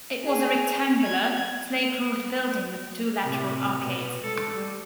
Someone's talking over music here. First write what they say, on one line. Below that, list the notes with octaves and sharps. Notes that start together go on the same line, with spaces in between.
It was a rectangular, slate-roofed building with two lateral arcades.
G#4
G#6
A2 C3
B2
G#3 A4
G3